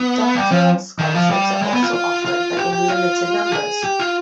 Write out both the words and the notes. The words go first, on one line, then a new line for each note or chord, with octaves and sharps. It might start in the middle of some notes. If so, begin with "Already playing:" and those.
Doctoral scholarships are also offered but in limited numbers.
Already playing: B3
G3
F3
D#3
F3
G3
G#3
B3
F4
F4
F4
G4
G4
F4
G#4
G4
F4